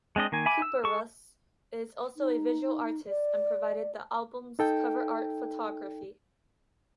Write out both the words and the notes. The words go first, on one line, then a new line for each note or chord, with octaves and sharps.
Kuperus is also a visual artist and provided the album's cover art photography.
G#3 C4 D4 D#5
D#3 A#3 G#5
E5 G#5 B5 D6
E6
A4 C#6
D#4
D5
D#4 A4 G5